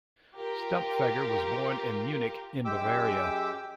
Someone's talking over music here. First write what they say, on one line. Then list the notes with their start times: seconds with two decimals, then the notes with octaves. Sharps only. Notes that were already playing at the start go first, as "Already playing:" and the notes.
Stumpfegger was born in Munich in Bavaria.
0.37 F4 G4 A#4
2.65 F#2 G#3 G4 G5 D6 E6